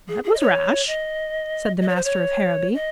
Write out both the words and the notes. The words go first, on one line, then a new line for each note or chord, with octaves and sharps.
"That was rash," said the master of Harrowby.
G#4
G#4
D#5
C#5
D#5
D#5
C#5
C5
C#5
D#5